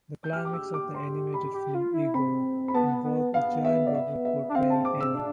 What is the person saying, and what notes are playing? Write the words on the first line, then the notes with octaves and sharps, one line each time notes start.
The climax of the animated film "Igor" involved a giant robot portraying Annie.
G6
G4 F6
D6
E6
D6
C6
B5
G4
F4
E4
C4 B5
B5
B3 A5
B3
B3 F5
E5
D5
E5
E5
D4
C4 F5
A5
D6
E6
D4